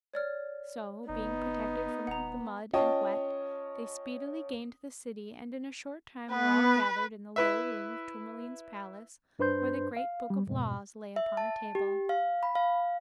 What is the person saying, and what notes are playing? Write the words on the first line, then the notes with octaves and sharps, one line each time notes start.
So, being protected from the mud and wet, they speedily gained the City and in a short time were all gathered in the low room of Tourmaline's palace, where the Great Book of Laws lay upon a table.
C#5 D5 F6
F#1 B3 D#4
D#1 F#5 A#5
C#4 F4 C#5 D#5 G5 A5
B3 B4
E4 B4 E5
G2 D4 B4 C5 C6 G6
F5
G3
F2 G#2 B2
E5
A5
G4
F5
B5
F5